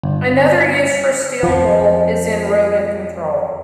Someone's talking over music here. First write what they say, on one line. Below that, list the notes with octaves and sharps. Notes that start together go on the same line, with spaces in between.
Another use for steel wool is in rodent control.
G1
F2 F3